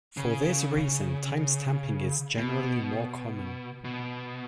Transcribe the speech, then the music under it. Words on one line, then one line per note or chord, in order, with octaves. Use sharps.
For this reason, timestamping is generally more common.
C#3
B2
B2